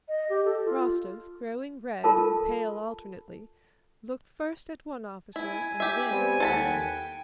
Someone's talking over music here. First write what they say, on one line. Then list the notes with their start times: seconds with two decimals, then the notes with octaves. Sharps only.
Rostov, growing red and pale alternately, looked first at one officer and then at the other.
0.08 D#5
0.30 G4
0.45 A4
0.65 F4
2.04 F4 A4 A#4 A5
5.36 E4 G#5
5.80 G4 E5
6.10 G3 B3 C4
6.40 D#2 A4 F#5 G5 A5 B5
6.85 G5